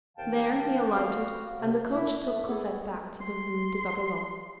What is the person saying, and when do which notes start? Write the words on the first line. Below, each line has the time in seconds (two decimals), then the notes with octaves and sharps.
There he alighted, and the coach took Cosette back to the Rue de Babylone.
0.16 D#2 C3 E3 F5 G5 A5
0.94 F#4 F5
1.59 C3
1.91 E4
2.27 A3
2.47 B3 G#4 A4
3.21 C6